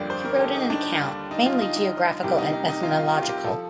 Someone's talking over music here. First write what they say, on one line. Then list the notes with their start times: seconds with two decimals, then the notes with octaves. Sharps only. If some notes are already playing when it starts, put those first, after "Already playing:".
He wrote an account, mainly geographical and ethnological.
Already playing: G1 F2 D3 G3 A#3 D5
0.10 C5
0.25 A#4
0.35 G4
0.40 A4
0.55 D#4
0.70 D4
1.01 D#2 D3 G3
1.31 D#4
1.46 F4
1.62 D#4
1.76 D#4
2.22 C2 C3 G3 A#3 G4
2.38 D#4
2.53 D#4
2.68 D#4
2.83 F4
2.99 F4
3.14 G4
3.22 F4
3.29 G4
3.44 F3 A4